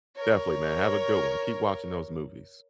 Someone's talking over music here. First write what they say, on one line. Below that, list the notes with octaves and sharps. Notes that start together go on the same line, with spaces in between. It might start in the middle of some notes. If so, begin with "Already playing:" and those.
Definitely, man, have a good one. Keep watching those movies.
A#4 C#5